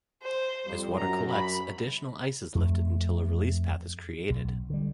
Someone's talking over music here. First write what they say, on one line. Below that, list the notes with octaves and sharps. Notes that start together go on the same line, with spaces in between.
As water collects, additional ice is lifted until a release path is created.
C5
F2 G3
F#2 A#5
B5
F2 A3
B1
D3 G3